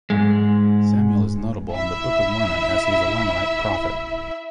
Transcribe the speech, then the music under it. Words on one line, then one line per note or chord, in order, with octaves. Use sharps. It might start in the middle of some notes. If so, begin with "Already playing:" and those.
Samuel is notable in the Book of Mormon as he is a Lamanite prophet.
G#2 G#3
E4 E5